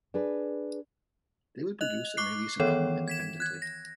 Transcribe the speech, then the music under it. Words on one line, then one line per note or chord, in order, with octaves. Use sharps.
They would produce and release an album independently.
D4 G#4 B4
D#5 F#6 F7
C#6 D6 F#6 C7
D#3 E3 B3 C#5
G#6 B6 E7
F#6 G#6
A#6